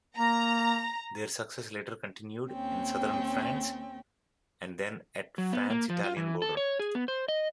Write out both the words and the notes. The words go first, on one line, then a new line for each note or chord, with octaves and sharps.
Their success later continued in southern France and then at the France-Italian border.
A#3 A#5
D#2 C4 C#4 G5
F#3
B3
A#3
F3
F4
E3
A4
C#5
G#4
B3
C5
D#5